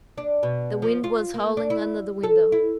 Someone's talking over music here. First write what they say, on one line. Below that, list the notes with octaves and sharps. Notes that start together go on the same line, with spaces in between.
The wind was howling under the window.
D4
B2
F3
F4
A#3
D4
E4
A4
E4